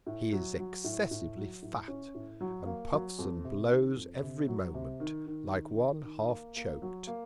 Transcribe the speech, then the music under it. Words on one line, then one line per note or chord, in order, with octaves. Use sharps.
He is excessively fat, and puffs and blows every Moment, like one half choak'd.
A2
F#3
F#3
A2
A2
F#3
A2
C#4
A2
F#3
A#3
F#3
F2
C3
D#3
F2
C3
F#3
C3
D#3
D#3
D#3
D#3
D#3
A#3
A#3
F#3
A#3